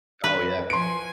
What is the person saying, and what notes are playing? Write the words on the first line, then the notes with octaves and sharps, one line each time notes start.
Oh, yeah.
B4
F3 G#5 C6 D7